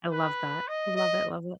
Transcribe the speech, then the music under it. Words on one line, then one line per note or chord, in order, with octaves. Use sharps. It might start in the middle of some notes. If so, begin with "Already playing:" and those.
I love that, love it, love it.
B4
D#5
D#5